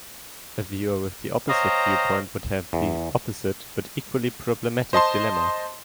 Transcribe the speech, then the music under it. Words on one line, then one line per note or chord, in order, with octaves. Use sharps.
A viewer with the opposite viewpoint would have the opposite but equally problematic dilemma.
C5 C#5 D#5 F5 G5 A#5
E2
C5 D#5 A5 C6